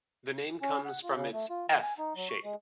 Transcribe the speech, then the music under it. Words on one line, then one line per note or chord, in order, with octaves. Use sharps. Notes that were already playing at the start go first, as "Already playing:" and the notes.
The name comes from its "F" shape.
C#4
F#5
F4
C#3
A3
F4
E3
G#5
D#4
F#3
C#6
G#3